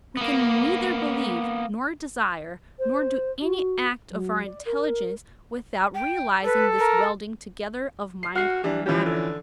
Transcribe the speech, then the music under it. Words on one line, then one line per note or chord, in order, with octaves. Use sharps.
We can neither believe, nor desire, nor do any act of our intelligence without realising this welding together of mind and matter.
A#3 B3
C5
F#4
F#3
D5
A#4
G5
A4 B4
A#4
C7
F#4 F6 C7
E3 G3 D4
E3 F3 C#4 G4
D3